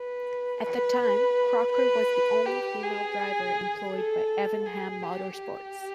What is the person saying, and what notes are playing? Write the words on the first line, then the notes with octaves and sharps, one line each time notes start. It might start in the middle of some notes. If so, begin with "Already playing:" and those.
At the time, Crocker was the only female driver employed by Evernham Motorsports.
Already playing: B4
B4
B4
G4
G#4
A4
G#4
G4
G4